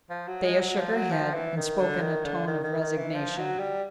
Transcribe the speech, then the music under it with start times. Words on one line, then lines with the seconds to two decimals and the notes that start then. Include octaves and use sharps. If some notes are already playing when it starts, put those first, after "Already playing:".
Thea shook her head and spoke in a tone of resignation.
0.10 F3
0.28 F#3
0.44 G#3
0.60 F#3
0.78 F3
0.95 F#3
1.12 F3
1.34 E3
1.57 D#3
1.80 D3
2.02 D#3
2.24 D3
2.47 D#3
2.64 D#3
2.80 D#3
2.98 E3
3.15 F3
3.38 F#3
3.59 G3